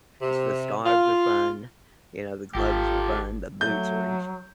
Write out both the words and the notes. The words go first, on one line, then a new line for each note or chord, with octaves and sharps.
It's the scarves are fun. You know, the gloves are fun. The boots are in sh
C3
F4
G#1 F4 G4 A4
F#3 A3 G6